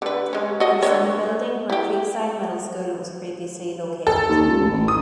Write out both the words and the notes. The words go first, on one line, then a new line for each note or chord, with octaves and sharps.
It is in the building where Creekside Middle School was previously located.
D3 B4
G#3 C#4
F#4 D#5
D3 G#3 C#5
E4 G4
A4
D#2
C#2
A1
A1
D#6